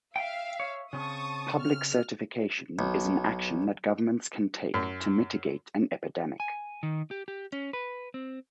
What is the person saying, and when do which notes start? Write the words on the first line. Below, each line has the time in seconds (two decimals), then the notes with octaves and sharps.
Public certification is an action that governments can take to mitigate an epidemic.
0.16 E5 F5 G5
0.60 C#5
0.93 C#3 C4 A5 C#6 D#6
1.59 F6
2.79 B1
4.74 F#2
6.40 G#5
6.83 D#3
7.11 G4
7.28 G4
7.53 C#4
7.73 B4
8.14 C4